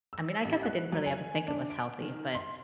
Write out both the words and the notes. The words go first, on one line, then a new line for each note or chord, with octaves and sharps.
I mean, I guess I didn't really ever think it was healthy, but
E6
A1
F#6
F#3
G#5
D4
D7
D#3
C6